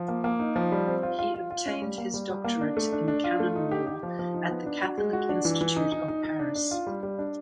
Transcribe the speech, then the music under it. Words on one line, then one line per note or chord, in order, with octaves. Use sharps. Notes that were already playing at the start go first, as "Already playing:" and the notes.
He obtained his doctorate in canon law at the Catholic Institute of Paris.
Already playing: F3
A#3
A#3
D#4
F3
G3
C4
F4
F4
F4
F4
C#4
G3
A#3
G3
G3
A#3
D4
A3
D4
D4
F4
A3
D#4
G4
G4
F3
F3
D#4
B3
D4
F#4
G#3
F#4
D4
E3
E3
D#4
D#4
D#4
D#4
D4
D4
F4
G3
G3
D4